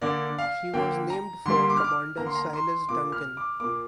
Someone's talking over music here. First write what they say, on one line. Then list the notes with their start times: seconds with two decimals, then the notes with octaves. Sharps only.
She was named for Commander Silas Duncan.
0.02 D3 A#3 D5
0.38 F5
0.73 D3 A#3 G5
1.10 A#5
1.46 D3 G3 A#3 C6
1.70 D6
1.77 F6
1.84 D6
2.17 D3 A#3 A#5
2.26 C6
2.35 A#5
2.53 C6
2.89 A#2 A#3 D6
3.12 F6
3.37 D6
3.60 A#2 A#3 D6